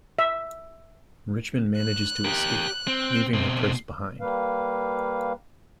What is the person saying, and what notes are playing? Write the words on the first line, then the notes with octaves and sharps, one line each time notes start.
Richman manages to escape, leaving her purse behind.
E5
F#6
G4 A#4
C4
B2 C4
G3 A#3 B4 F5